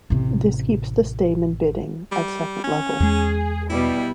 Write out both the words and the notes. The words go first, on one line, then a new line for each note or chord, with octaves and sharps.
This keeps the Stayman bidding at second level.
A1 C3
G3
C#4
E2 G#3 G#4
B2 G3 E4